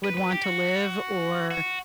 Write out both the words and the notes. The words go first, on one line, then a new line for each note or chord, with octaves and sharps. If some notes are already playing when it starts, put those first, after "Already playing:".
would want to live or,
B4
B4
G4
F#4
F#4